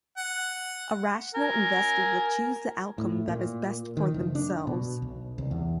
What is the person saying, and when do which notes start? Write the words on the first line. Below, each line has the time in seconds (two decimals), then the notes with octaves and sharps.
A rational investor will choose the outcome that is best for themselves.
0.17 F#5
1.34 A#4 G#5
2.98 A2
3.28 A#2
3.97 D#3
4.14 F#1
4.35 D4
4.67 B2
5.02 B1
5.38 C2
5.51 E2